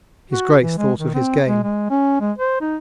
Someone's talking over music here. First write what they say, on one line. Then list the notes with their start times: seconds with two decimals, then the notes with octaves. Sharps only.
His Grace thought of his game.
0.31 F#4
0.61 E3
0.77 G#3
0.99 D#3
1.14 C4
1.46 G#3
1.64 G#3
1.91 C#4
2.21 G#3
2.38 C5
2.61 D#4